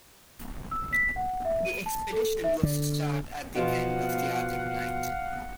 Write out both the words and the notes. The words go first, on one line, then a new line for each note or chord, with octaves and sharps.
The expedition was to start at the end of the Arctic Night.
E6
B6
F#5
E5
D#7
A5
A4
E5
D3
B2 F3 F5 F#5